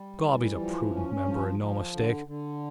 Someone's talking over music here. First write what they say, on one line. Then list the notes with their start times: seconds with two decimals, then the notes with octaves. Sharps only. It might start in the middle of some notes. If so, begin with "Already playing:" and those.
Gob, he's a prudent member and no mistake.
Already playing: G3
0.24 E3
0.59 F3
0.92 C#4
1.26 F3
1.59 F3
1.94 D3
2.27 D3